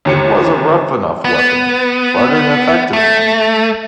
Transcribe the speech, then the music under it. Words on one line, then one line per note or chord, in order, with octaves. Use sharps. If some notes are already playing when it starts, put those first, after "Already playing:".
It was a rough enough weapon, but an effective one.
G1 D#2 C#7
B3
A3